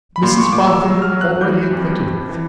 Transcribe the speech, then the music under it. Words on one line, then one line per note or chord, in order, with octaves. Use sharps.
'Mrs Boffin you're already acquainted with.
B5
A#2 C6
C#6
A#2 D6
E6
F#3 E6
F6
F#3
F#6
E3 G6
F2
F2
E3